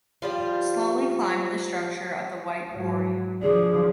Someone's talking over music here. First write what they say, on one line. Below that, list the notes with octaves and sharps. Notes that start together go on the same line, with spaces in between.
Slowly climbed the structure of the white quarry.
F3 G3 F4
G#2 F#3
F3 D4 G#4